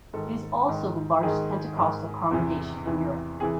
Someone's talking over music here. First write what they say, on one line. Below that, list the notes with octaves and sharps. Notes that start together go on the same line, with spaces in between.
It is also the largest Pentecostal congregation in Europe.
G#2 D#3 A4
G#2 D#3
G#2 D#3 G#4
G#2 D#3
E2 C3 E3
E2 C3 E3
C3 E3 G#4